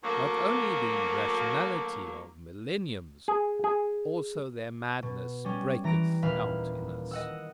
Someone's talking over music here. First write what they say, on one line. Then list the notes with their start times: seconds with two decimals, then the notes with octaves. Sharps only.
Not only the rationality of millenniums--also their madness, breaketh out in us.
0.03 D2 F#3 A#3
3.28 G#4
3.64 G#4
5.03 B2
5.45 G3 C#4
5.84 E3 A#5 A#6 D7
6.22 D#1 B4 F5
7.11 D#5 F#5 E6